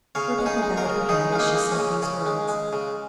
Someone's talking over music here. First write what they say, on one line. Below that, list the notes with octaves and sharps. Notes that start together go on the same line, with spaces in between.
Rebecca bowed her head as she said these words.
C#3 C#5 F5
G#3
D#4 G#4
G#3
F4 A#4
C#3
C#3 D#4 G#4
G#3 F4
A#3 D#4
G#3
C#4
C#3
C#3 C#4
G#3
G#3
C#3